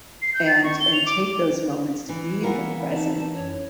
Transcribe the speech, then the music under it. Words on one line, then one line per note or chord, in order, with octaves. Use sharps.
and and take those moments to be in the present,
C7
G6
A6
C#6
G7
F7
D6
E3
E3 A#3 B3 E4 A#4 F#5
D#4 A5
F#2 C#5